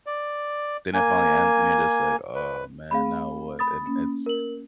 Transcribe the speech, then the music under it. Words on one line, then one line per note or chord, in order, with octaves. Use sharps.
then it finally ends, and you're just, like, "Aw, man, now what," and it's
D5
A#3 G#5
B4
A3 C4 G#4 F5 B5
B5 D#6 A6
A#3 C#4
A#4 F#7